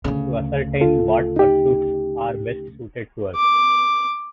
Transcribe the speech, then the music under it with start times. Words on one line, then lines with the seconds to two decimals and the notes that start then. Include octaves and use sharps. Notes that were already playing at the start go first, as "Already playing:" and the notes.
To ascertain what pursuits are best suited to us.
0.04 D2 C#3
0.81 F4 A4
1.36 D#4 G4
3.36 D6